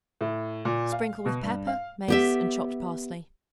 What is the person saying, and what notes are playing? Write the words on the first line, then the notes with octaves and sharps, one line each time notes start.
Sprinkle with pepper, mace and chopped parsley.
A2
A#2
F5
B2
G2
F5
B3 G4 E5